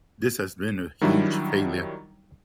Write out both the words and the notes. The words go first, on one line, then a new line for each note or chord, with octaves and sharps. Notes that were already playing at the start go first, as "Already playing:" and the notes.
This has been a huge failure.
D#3 F#3 G3 D4 E4